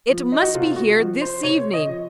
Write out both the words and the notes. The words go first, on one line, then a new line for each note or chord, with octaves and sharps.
It must be here this evening!
F3
D#4
F#4
C3 F4
F#4
F3
C5
C3 C#5
D#5
F3